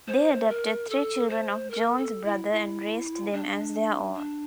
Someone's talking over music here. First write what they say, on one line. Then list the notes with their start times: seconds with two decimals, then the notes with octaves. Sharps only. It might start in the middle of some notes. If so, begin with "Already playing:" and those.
They adopted three children of John's brother and raised them as their own.
0.08 C5
0.49 A#4
0.89 A4
1.29 C5
1.71 A#4
1.98 A4
2.25 E4
2.52 E4
3.33 D4
4.15 D4